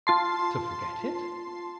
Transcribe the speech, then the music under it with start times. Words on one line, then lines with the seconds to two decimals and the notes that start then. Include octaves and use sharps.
"To forget it!"
0.07 F4 A5 C6